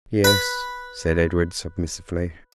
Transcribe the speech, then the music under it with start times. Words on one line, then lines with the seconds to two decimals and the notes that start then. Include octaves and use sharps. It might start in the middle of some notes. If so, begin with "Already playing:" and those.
"Yes," said Edred submissively.
0.24 B4 B5